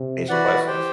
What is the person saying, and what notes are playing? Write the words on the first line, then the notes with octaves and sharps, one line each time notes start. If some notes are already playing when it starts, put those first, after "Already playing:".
basic lessons,
Already playing: C3
E3 F#4 B4 D5 F#5
G4 C5 G5